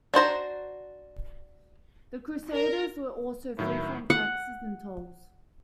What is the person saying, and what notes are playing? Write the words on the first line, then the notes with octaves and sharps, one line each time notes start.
The crusaders were also free from taxes and tolls.
D4 F#4 C5 A#5
A#4
A2 D#3 F#3 E4
F#5